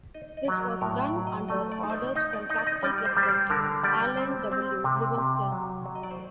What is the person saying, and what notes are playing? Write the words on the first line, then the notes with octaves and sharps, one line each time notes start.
This was done under orders from Capitol president Alan W. Livingston.
D#4 D#5
D#5
D5
F#3 D#5
A#4
A2 A#4
D5
F#3
D#5
A3 D#5
D5
D#4
C5
D5
D#4 D#5
D5
D#4 D#5
D5
D#5
G3 D5
D5
C5
G3
C5
D5
D3 A#4
G3 D5
C4 C5
C4
C3
C3
F#3
F#3
D#5
D5
C5